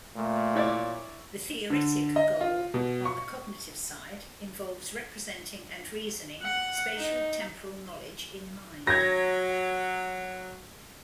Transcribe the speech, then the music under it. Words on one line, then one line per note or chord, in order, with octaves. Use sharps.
The theoretic goal-on the cognitive side-involves representing and reasoning spatial-temporal knowledge in mind.
A#2 A3
E4 C#5 D5
D3
D#5
F4
B2
C#6
F#5
D#4
F#3 G#6 A#6